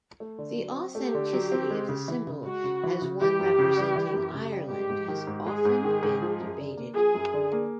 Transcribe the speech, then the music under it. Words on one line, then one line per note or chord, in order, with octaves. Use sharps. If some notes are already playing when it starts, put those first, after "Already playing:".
The authenticity of the symbol as one representing Ireland has often been debated.
A3
D3
F#3
C4
A3 G4
D3
F#3
C4
G#3
C#3
E3
C#3
G#3 F#4
C#3
E3
C#3
E3 G4
F#2
C#3
G3
E3
F#2
C#3
G3
G#3 G4
G#2
D#3
G#2
G#3 G#4
G#2
D#3
G#2
F3
F#2
D3
A#3
F3 G#4
F#2
D3
A#3